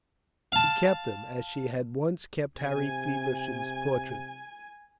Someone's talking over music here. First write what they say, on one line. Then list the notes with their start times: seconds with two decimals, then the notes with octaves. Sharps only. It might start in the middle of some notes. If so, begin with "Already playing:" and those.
She kept them, as she had once kept Harry Feversham's portrait.
0.52 F5 A5
2.58 C3 G#5